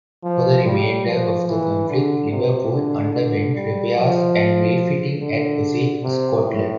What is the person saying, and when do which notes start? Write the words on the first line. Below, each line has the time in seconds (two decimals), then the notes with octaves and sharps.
For the remainder of the conflict, "Liverpool" underwent repairs and refitting at Rosyth, Scotland.
0.23 F3
0.65 G3
1.06 F3
1.48 E3
1.89 D3
2.31 C3
2.72 D3
3.14 D3
3.55 G3
3.96 F3
5.20 D3
6.03 C3
6.46 A2